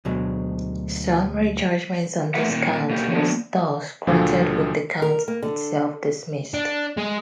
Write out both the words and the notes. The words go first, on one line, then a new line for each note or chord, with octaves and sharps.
Summary judgement on this count was thus granted with the count itself dismissed.
D2 B2 F#3 G#3
A3 F4 A#4 B4 E5 F#5
A#2 D#3
B2 A#3 G4
D3 F3 F#3 A#3 B3 D4
C#2 A#2 D3 F3 F#3
A#4
A#3
D3
D4
G#3